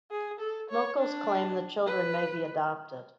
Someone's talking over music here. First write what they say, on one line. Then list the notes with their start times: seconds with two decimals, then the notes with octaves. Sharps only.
Locals claim the children may be adopted.
0.11 G#4
0.40 A4
0.70 C#5
0.99 D4
1.86 B4